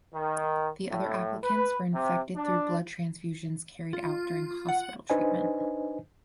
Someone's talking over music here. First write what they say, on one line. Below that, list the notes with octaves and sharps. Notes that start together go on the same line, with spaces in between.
The other applicants were infected through blood transfusions carried out during hospital treatment.
D#3
A2
B4
C3
D4
F4
F#5
D4 D#4 B4 C5 D#5 G#5